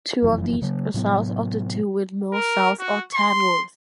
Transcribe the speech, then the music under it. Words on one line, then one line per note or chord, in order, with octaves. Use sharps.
Two of these are south of the two windmills south of Tadworth.
F1 F#2 E3 F3
C#3 F#3 A3 A#3
A2 C3 F#3 B3
A#4
F#4
C6